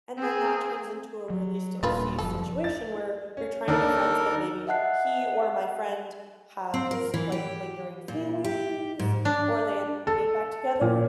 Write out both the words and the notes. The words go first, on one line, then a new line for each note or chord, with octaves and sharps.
and then that turns into a really sticky situation, where you're trying to be friends, but maybe he or my friend has, like, lingering feelings or they end up getting back together.
C4 G#4
F#3
D#1 A#2 D3 G3 F4 B4
F#1 F3 A4
A6
C#4
D#2 D#3 C#4 D4 A4 A#4
D#5 E5 F#5 A5 F#6 C7
C4
A#4
E3
G4
A#2
G4
G#2
D4
A4
A#2